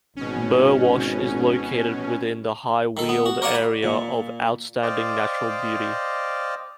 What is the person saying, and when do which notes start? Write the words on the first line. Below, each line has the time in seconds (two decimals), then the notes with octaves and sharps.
Burwash is located within the High Weald Area of Outstanding Natural Beauty.
0.16 G#1 B2 C#4
2.97 D#3 A4
3.09 B3
3.26 F#4
3.42 A#4 C#5 D5 F5 F#5
3.55 B5
3.83 A#2
4.82 C5 D5 D#5 F5 G5